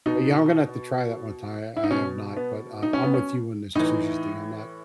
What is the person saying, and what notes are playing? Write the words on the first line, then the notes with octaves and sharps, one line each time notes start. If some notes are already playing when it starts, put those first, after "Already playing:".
But, yeah, I'm gonna have to try that one time, I I have not, but, uh, I'm with you in this sushi thing, I'm not
B2 D#4
E4
D#4
B2 C#4
B3
D#4
C#4
B3
C#4
A2 E3 D#4